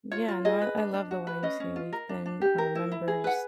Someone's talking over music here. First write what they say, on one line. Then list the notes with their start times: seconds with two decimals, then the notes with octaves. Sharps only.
Yeah. No, I I love the YMCA, we've been, uh, members
0.11 F4 C#5
0.28 F4
0.45 G#4 D#5
0.61 B4
0.77 D4
0.94 D4
1.11 F#4
1.27 B4
1.43 C#4 D#5
1.60 C#4
1.76 F4
1.93 A#4
2.09 D4
2.26 D4
2.42 G4
2.58 A#4
2.75 E4
2.92 E4
3.08 G#4
3.24 B4 F#5